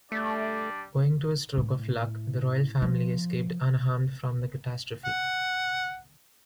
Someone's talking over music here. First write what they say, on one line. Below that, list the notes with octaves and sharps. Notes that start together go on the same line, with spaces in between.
Owing to a stroke of luck, the Royal Family escaped unharmed from the catastrophe.
G3 A3 D4 D5
A2
F3
F#5